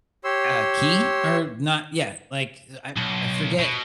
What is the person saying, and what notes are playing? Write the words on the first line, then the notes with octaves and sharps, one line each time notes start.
uh, Key or not yeah, like, I I forget.
G4 C#5 C6 E6
B1
B2